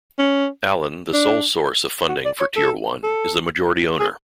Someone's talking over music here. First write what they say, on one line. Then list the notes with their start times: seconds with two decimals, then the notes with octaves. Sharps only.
Allen, the sole source of funding for Tier One, is the majority owner.
0.19 C#4
1.13 D4
2.09 F#4
2.25 D5
2.40 C#5
2.56 A4
3.03 A4
3.99 G#4